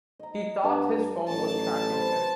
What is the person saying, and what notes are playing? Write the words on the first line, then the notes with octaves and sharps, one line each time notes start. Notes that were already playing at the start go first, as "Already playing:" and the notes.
He thought his phone was tracking him.
D#5 A#5
G2 D5 A5 A#5
A1 F#3 A5
B4 C5